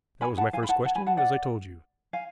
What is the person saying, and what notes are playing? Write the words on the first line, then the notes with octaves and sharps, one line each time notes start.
That was my first question, as I told you.
G#5 B5
F#5 A5
F5 G#5
B5
F#5 A5
F#5 A5
G#5 B5
F#5 A5
D5 F#5
F5 G#5